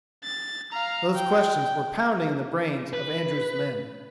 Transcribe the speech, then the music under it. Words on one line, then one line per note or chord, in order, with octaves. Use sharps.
Those questions were pounding in the brains of Andrews' men.
A6
F5 A#5
G5
B4